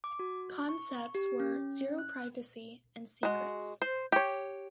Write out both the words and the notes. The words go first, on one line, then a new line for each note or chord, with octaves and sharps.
Concepts were "Zero privacy" and secrets.
D6
F#4
C#6
G4
C#4
F#6
G#3 F#4
C5
G4 C#5